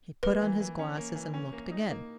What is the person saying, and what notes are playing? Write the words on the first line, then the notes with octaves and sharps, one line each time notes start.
He put on his glasses and looked again.
A#3 B4
E3
E3
C#4
A#3
E3
C#4
A#3
D#4
A#3